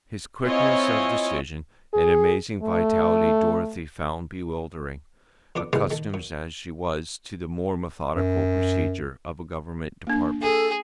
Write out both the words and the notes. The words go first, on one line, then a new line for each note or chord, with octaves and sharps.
His quickness of decision and amazing vitality Dorothy found bewildering, accustomed as she was to the more methodical procedure of a Government department.
C4 E4 F4 C#5 D#5 G#5
G#4
A3
F2 B3 D4 D6
C#3 E3 G3 G#3 A#3 B3
D#3 A4
F#2
F#2
A#3 D4
G#4 A4